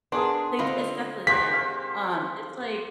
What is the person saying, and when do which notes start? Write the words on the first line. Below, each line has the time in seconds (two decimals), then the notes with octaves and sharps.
they It's definitely hidden. Um, it's like
0.12 B3 D4 G#4 A#4 C6 D#6
0.59 D3 C4 F4 D#5 B5
1.27 G#3 A#3 G4 C5 F#5 B6
1.53 C5 F5